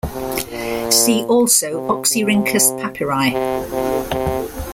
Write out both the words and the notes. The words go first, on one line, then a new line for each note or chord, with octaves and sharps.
See also Oxyrhynchus Papyri.
C3
A#2
C3
C3
C3
C3
C3